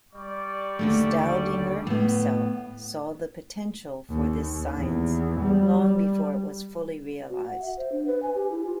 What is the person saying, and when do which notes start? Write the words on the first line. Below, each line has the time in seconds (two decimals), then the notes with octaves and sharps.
Staudinger himself saw the potential for this science long before it was fully realized.
0.14 G3 D5 C#6
0.79 D#2 D3 A3
1.87 A2 B3
4.09 D#2
4.78 E2
5.40 G3
7.29 F#4
7.47 F#5
7.62 E5
7.77 C5
7.92 D4
8.06 B4
8.23 G#5
8.35 G4
8.51 E4
8.66 F4